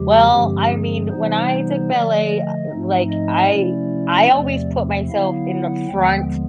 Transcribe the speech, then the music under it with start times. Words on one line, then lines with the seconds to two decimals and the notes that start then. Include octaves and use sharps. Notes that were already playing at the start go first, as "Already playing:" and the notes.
Well, I mean, when I took ballet, uh, like, I I always put myself in the front
Already playing: E2 C#3 F3 G#3 G4
0.31 G2 D3 F3 G#3 C4 G4
0.70 G#4
1.10 C3 E3 G3 B3 D#4 C5
1.90 D3 F3 A3 D5
2.30 D#5
2.70 G#2 F3 A3 C4 D#4
3.10 D#5
3.49 C3 F3 A3 C#4 E4 D5
4.29 E2 C3 F3 A3 C4 D5
5.09 D3 F#3 B3 E4 F5
5.48 F#5
5.88 D#2 D3 F3 G#3 B3 G5